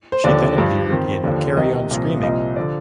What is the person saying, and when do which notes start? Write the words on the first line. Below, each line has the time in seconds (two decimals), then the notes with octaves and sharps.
She then appeared in Carry On Screaming!
0.12 C5
0.24 D#2 D3 F3 D5
0.57 G2 F3
0.91 F2 D#3 C5
1.24 D#2 D3 F3
1.57 C2 C3 D#3 D#5
1.91 C2 A#2 F3
2.23 C2 A#2 F3 D#5
2.56 D3 F3 D5